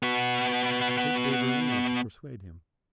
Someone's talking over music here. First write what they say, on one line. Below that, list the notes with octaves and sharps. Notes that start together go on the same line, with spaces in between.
Get de Berulle to persuade him.
B3 F#4